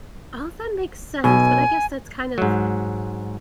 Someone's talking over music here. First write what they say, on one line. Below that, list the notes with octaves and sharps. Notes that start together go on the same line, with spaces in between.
All that makes sense, but I guess that's kind of,
B1 B2 G#5
G#2 F#3